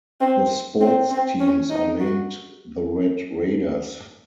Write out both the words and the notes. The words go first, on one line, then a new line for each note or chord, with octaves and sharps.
The sports teams are named the Red Raiders.
C4
C4
C4
C#4
D#4
F#4